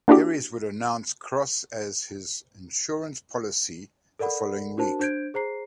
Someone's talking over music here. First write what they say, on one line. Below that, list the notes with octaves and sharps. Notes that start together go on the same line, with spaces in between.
Aries would announce Kross as his "insurance policy" the following week.
A#3 D4 E4 F#4 G4
A4 A#4 D5 F#5 B5
D4 F#4 A#4 C5 A5
D4 C5 G6 G#6 D7
G#4 C5 A#5 C7